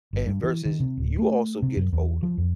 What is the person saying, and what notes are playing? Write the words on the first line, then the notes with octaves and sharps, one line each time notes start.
and versus you also getting older
G1
G2
E3
D#3
C3
D1
A3
C3
F#2
E2
F3
F2